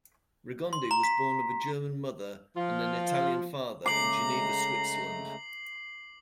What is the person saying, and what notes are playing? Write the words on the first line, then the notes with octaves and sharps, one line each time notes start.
Regondi was born of a German mother and an Italian father in Geneva, Switzerland.
C6
A#5
B6
F3 F4
C#3 G#3 A3 A#5 D6 C7 F#7